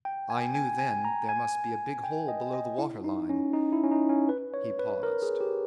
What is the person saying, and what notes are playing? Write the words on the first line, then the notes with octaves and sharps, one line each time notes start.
I knew then there must be a big hole below the water-line.' He paused.
G5
G#5
G#5
G#5
A#5
G#5
G5
D#5
D#5
E4
D#4
C#4
D#4
E4
C#4
D#4
C#4
B4
C#5
B4
A#4
G#4
G4